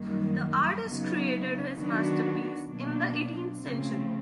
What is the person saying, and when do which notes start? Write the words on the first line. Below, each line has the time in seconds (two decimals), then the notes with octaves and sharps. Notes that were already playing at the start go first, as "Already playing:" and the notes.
The artist created his masterpiece in the eighteenth century.
Already playing: F#2 D#3 G3 A#3
0.84 C#3 F#3 B3 D#4
1.76 D#3 F#3 B3 D4 F#4
2.67 B2 F#3 A#3 D4
3.60 C#3 F3 A3 C4